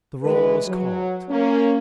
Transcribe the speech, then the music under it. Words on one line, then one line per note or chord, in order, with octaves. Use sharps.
The roll was called.
D2 E3 G#3 B4
F#3
A#3 C#4